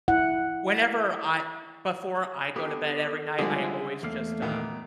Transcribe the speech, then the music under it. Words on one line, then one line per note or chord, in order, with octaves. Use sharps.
whenever I before I go to bed every night, I always just, um,
E4 F#5
B3 D4 G4 A4
D3 F3 G3 G#3 E4 G#4
E2 A3 A#3 F5
A#2 D#3 B3